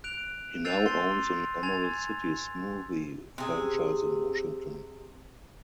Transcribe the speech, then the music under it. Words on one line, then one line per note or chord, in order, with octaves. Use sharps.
He now owns an Emerald City Smoothie franchise in Washington.
F#6 D7 F7
E6 G6 A6 C7 D#7 F7
C6 A6 C7
G#5 G#6 A6 F7
C3 G#4